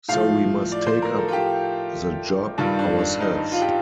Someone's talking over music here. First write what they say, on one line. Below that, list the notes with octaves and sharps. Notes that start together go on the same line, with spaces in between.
So we must take up the job ourselves.
A2 F3 F5
D5
C5
A#4
A4
F4
G4
G2 D#3 G3 F4
D4
D4
D#4
F4
G4